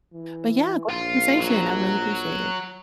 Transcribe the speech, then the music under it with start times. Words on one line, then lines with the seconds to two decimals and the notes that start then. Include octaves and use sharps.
But, yeah, gr conversation. I really appreciate it.
0.13 E3
0.90 A#1 F4
1.41 F#3